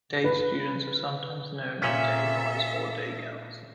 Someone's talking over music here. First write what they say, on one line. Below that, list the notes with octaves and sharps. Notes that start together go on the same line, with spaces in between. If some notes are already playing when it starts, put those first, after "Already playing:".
Day students are sometimes known as day boys or day girls.
B4
A#2 C#4 A4 E5